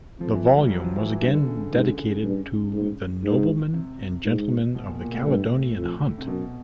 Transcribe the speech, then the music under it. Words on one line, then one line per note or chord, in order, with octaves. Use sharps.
The volume was again dedicated to the "Noblemen and Gentlemen of the Caledonian Hunt".
F2 F3
E3
F#3
G3
F#3
F3
E3
G2 E3
D3
C#3
C#3
G#2 C#3
G2
G#2
G#2
C3
G#2
B2
A#2
A#2
A2
G2
F2
C3
F#2 B2